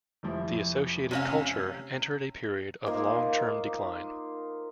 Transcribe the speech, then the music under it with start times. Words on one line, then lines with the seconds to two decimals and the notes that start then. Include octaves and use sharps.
The associated culture entered a period of long-term decline.
0.23 F1 F3 E4
1.11 C3 C#4 F5
2.87 A#3 D#4 F4 C5